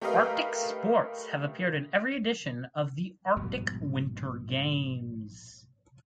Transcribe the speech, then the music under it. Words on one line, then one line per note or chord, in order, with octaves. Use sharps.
Arctic sports have appeared in every edition of the Arctic Winter Games.
A3 G4 A#4 B4 D#5 F5
A#1 G#2 B2 G3